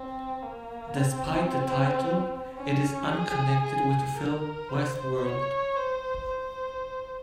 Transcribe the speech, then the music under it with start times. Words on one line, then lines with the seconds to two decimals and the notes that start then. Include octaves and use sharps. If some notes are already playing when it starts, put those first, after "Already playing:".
Despite the title, it is unconnected with the film "Westworld".
Already playing: C4
0.43 A#3
0.96 C4
2.57 C#4
3.09 G#4
3.63 G#4
4.16 A#4
4.69 C5
5.23 C#5
5.76 C5
6.30 C5